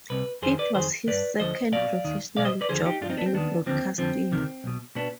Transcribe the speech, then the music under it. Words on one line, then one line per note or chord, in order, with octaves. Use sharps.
It was his second professional job in broadcasting.
C2 C3 B4
F2 D#3 G#4 C5
B4 D5
F2 D#3 G#4 C5
G2 D#3 B4 D5
D2 D3 F3 C5 D#5
B1 B2 D5 F5
D#2 D#3
B1 B2 D5 F5
C5 D#5
B4 D5
D#2 D3 F3 G#4 C5
D#4 G4
G2 F3 C4 D4 D#4 F4
B3 D4
C4
D#2 D#3 B3 D4
D#2 D3 F3 C4
F2 D3 F3 C4
D2 C3 D#3
B1 B2
B2 B3 D4